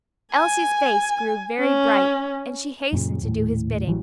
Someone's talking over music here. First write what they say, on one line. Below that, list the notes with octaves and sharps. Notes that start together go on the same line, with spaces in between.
Elsie's face grew very bright, and she hastened to do his bidding.
G#5
C#4
F#2 A#2 C#3
D#1 A2
A1 E3 F#3 G3